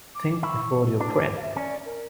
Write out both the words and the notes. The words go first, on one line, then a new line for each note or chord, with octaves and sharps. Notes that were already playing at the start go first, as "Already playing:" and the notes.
Think before you print.
D6
E4 C#6
D4 D6
D6
F5
E5
C#4 D5
A#4